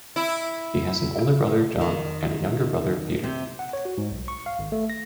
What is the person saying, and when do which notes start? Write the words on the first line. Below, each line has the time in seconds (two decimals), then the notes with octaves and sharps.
He has an older brother, John, and a younger brother, Peter.
0.16 E4
1.81 D#3
3.23 C3
3.59 F#5
3.73 C#5
3.85 F#4
3.98 G#2
4.11 B1
4.28 C#6
4.46 F5
4.59 G#1
4.72 A3
4.90 A#6